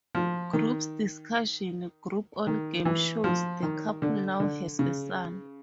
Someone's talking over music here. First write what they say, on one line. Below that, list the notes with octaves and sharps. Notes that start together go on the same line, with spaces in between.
Groups discussion group on game shows; the couple now has a son.
F3
D#3
D#3
E3
F3
D#3
D3
D3
C#3